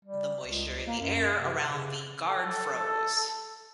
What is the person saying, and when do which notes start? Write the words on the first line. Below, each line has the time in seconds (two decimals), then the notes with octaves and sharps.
The moisture in the air around the guard froze.
0.05 G3
0.46 C#2
0.87 A#3
1.00 F#2
1.35 C3
1.70 C#3
2.29 A4